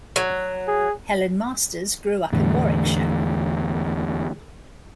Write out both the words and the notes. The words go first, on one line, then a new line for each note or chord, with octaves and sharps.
Helen Masters grew up in Warwickshire.
F#3
G#4
E2 A2 D3